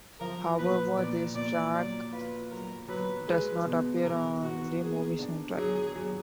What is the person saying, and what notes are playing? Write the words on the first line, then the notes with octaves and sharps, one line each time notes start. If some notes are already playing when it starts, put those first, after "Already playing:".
However, this track does not appear on the movie's soundtrack.
F3 A#4
A#2 B4
A#2 D5
A#2 D5
F#3 D5
F4 B4
F#3 A#4
F#3 B4
G#3 B4
B2
B2 A#4
B2 F#4
A#3 G#4
D4
F#3 G#4
F#3